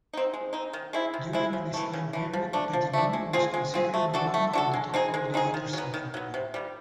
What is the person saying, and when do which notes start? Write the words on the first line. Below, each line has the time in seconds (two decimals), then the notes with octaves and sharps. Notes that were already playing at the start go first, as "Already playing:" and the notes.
During this time period, Petitbon was considered one of the top coordinators in football.
0.13 C4 D#4
0.34 G#3
0.53 C4 D#4
0.73 D#3
0.93 G#3 C4 E4
1.14 D#3
1.33 G#3 C4 E4
1.53 C#3
1.74 E3 A3
1.93 C#3
2.13 E3 A3
2.33 F3
2.53 A3 D4
2.73 F3
2.93 A3 D4
3.13 G#3
3.33 C4 F4 G#4
3.54 G#3
3.74 C4 F4 G#4
3.94 A3
4.14 D4 F#4 A4
4.34 A3
4.53 D4 F#4 A4
4.73 G#3
4.94 C4 D#4 G#4
5.14 G#3
5.34 C4 D#4 G#4
5.54 D#3
5.73 F#3 B3
5.94 D#3
6.14 F#3 B3
6.34 C3
6.54 D#3 G3